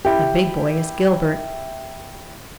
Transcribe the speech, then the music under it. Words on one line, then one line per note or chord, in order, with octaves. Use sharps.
The big boy is Gilbert.
E4 G4